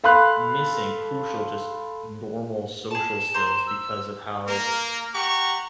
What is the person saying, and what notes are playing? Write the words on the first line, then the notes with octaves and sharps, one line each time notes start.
missing crucial, just normal social skills because of how
A4 F5 B5 C6 F#6
G#4 A5 E7
C5 A#5 C6
E6
A#3 A#4
G4 F#5 A#5 C#6